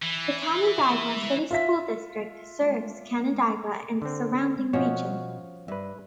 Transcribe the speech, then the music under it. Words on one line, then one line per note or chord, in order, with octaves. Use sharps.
The Canandaigua City School District serves Canandaigua and the surrounding region.
E3
F4 E5 B6
D3 C4
B2 F3 C#4 F#4 C#5 E5
G2 B4 E5